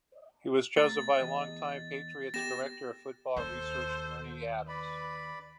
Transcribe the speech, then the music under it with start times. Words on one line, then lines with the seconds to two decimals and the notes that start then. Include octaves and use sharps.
He was chosen by long time Patriots director of football research Ernie Adams.
0.77 A3 A#5 A6
1.19 E2 D#5
2.34 B3 G4 A#6 E7
3.36 D#2 A4 C5
4.68 B4 D5 B5